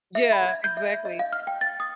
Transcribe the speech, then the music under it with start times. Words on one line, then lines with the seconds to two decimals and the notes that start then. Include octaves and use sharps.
Yeah, exactly,
0.15 E5
0.33 B5
0.48 G#6
0.64 G6
0.77 E5
0.94 G6
1.05 D#5
1.19 F5
1.33 F6
1.47 G5
1.61 A6
1.80 D#6